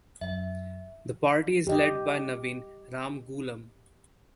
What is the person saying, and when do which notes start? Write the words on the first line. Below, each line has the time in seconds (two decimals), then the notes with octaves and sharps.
The party is led by Navin Ramgoolam.
0.21 F#2 E5
1.67 G4 D#5